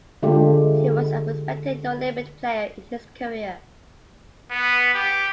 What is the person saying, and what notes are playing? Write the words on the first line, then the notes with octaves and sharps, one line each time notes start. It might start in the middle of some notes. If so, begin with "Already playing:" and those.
He was a respected no-limit player in his career.
D3 G#3 A3 F4 G4
B3
G4